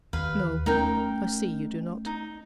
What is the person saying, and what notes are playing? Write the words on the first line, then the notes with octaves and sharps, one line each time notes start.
'No, I see you do not.
D#2 B4 F5
A3 A#3 C#4 D#4 A#4 G5
D#4